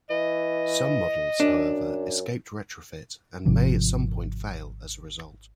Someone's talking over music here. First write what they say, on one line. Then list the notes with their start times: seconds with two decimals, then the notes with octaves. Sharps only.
Some models, however, escaped retrofit and may at some point fail as a result.
0.10 E3 D#5
1.40 F#2 D4
3.46 G#1 C3 F3